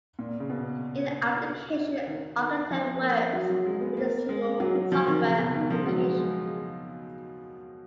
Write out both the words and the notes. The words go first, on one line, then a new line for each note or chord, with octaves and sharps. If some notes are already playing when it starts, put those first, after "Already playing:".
An application architect works with a single software application.
A#2
C#3
B2
D#3
D#3
F3
A#3
F#3
F#3
G#3
B3
A#3
G#3
F#3
F#3
F3
D#3
C#3
B2
D#3
F3
G#3
F#3
G#3